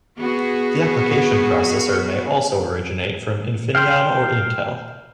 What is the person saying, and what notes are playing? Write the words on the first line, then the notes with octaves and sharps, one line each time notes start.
The application processor may also originate from Infineon or Intel.
B3 F#4 G#4
F5 G5 C6